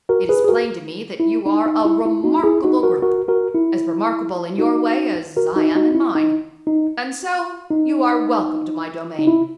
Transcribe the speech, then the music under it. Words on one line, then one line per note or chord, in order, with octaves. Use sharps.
It is plain to me that you are a remarkable group--as remarkable in your way as I am in mine--and so you are welcome to my domain.
F#4 A#4
G#4 B4
G#4
F#4 A#4
E4
D#4
D#4
E4
E4
D#4 F#4
E4 G#4
D#4 F#4
F#4 A#4
F#4 A#4
F#4 A#4
E4
D#4 F#4
F#4 A#4
D#4 F#4
D#4 F#4
E4
D#4
D#4
D#4
D#4
E4